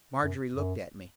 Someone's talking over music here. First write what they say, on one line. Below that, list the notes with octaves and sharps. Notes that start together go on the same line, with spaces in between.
Margery looked at me.
F#2
F#2